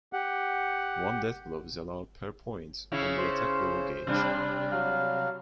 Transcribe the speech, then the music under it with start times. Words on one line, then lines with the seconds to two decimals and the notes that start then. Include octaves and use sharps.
One deathblow is allowed per point on the Attack Level gauge.
0.13 G4 F#5
2.92 C#3 C#4 E4
3.18 C5
4.07 C3 G3 D4
4.72 F#3 F5